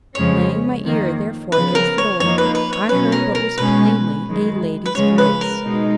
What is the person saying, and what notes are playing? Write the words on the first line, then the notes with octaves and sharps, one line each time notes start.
Laying my ear therefore against the door, I heard what was plainly a lady's voice.
F2 C#3 G#3 C#4 C#5
F2 D#3 A#3
C#3 F3 B3 B4
A#4
C#5
F2 F3 A#3 D#4 C#5
B4
B4
C#5
B2 F#3 C#4 B4
A#4
A#4
B2 G#3 C#4 B4
F#2 D#3 G#3
B4
C#3 F3 G#3 C#4 C#5
B4
A#4
B2 G#3 D#4